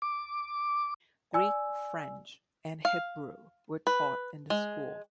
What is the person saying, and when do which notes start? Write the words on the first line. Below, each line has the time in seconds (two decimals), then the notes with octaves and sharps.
Greek, French and Hebrew were taught in the school.
0.02 D6
1.33 D5 G#5 E6
2.85 F5
3.87 B4
4.50 G#3